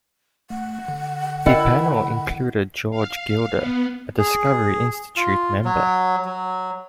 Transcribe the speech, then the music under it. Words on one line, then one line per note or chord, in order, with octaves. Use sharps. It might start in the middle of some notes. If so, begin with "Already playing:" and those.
The panel included George Gilder, a Discovery Institute member.
A3 F#5
D3
E4 A#4 D#5 G5
F5
B3
G#4
F4
F#3
F#3